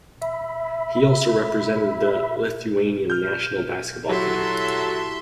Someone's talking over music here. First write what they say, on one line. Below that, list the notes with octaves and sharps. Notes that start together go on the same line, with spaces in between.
He also represented the Lithuanian national basketball team.
E5 B5
F6 G6
F#3 E4 F#4 G4 A4 E5 A5 C6